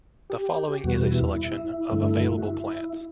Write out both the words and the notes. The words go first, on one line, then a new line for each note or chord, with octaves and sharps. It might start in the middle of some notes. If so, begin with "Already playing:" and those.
The following is a selection of available plants.
G4
E2 B2 G3 B3 F#4
F#4
E4
G2 D3 A3
F#4
E4